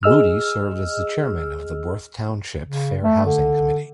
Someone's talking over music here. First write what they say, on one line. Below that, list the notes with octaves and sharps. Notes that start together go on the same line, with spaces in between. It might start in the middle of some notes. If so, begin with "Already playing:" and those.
Moody served as the chairman of the Worth Township Fair Housing Committee.
G#4 D#5 E6 F6
C#3
A3
D3